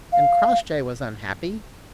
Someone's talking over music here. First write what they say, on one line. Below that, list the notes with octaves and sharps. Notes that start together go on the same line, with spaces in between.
And Crossjay was unhappy?
F5